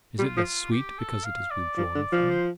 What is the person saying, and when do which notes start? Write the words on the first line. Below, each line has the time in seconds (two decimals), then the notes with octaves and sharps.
Is it less sweet because it is withdrawn from me?
0.19 G3 F4
0.37 F3
0.71 G4
0.98 A4
1.24 F5
1.51 D5
1.77 F3
1.95 D3
2.12 F3
2.30 C5